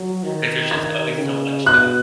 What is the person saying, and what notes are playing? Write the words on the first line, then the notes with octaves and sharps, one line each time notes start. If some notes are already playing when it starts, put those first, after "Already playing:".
'cause there's just always so much to do.
Already playing: F#3
D#3
G#6
C#3
B2 F#6